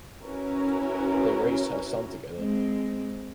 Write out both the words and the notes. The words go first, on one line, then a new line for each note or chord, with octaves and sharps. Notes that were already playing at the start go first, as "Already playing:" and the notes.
They raised her son together.
C#4 E4 F#4 A#4 B4
G#3 C4